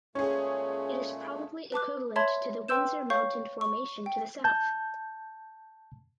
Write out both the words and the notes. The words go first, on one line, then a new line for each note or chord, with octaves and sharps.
It is probably equivalent to the Windsor Mountain Formation to the south.
A#2 G#3 A3 C#4 G#4 C#5
B4 A5 D6 F#6
C#5 E5 A5 B5 C6 G#6
B4 G5 C6 E6 G6 E7
C#5 F5 C#6 G6
C#6
G5
A5 G6